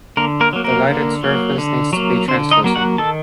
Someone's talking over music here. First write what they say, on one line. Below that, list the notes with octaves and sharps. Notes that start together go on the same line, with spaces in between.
The lighted surface needs to be translucent.
D3 A#3 A#4
A#3 A#4
F#3 A#3
A#3 A#4
D3
F#3 A#3
D3
F#3 A#3
D3 C4 C5
D#4 D#5
F#3 A#3
F#4 F#5
D#3 A4 A5